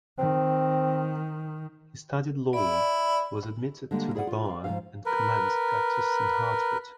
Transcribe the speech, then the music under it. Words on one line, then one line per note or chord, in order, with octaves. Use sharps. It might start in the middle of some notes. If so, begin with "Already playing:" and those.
He studied law, was admitted to the bar, and commenced practice in Hartford.
D#3 C4
E4 D5 B5
D3 G3 G#3 A#3
E4 G#4 D5 D#5 F#5
F4
D5 F5
G#2 F3 F#3 C#4 F5
A#4 B4